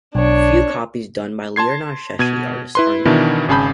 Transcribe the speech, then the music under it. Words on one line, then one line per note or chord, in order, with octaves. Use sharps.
Few copies done by Leonardeschi artists are known.
B1 D4 C#5
A5 C6 G#6 C7
B2 G#6 D#7
E4 B4 C6
B2 D#3 E3 D4 E4
G#1 C#3 G#4 A5 B5 G6